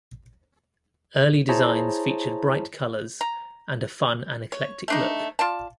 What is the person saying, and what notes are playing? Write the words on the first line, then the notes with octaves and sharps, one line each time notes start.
Early designs featured bright colors and a fun and eclectic look.
E4 G#4 C5 C#5 A5 A#5
A#5
C#5
A3 D4 D#4
F4 D5 A5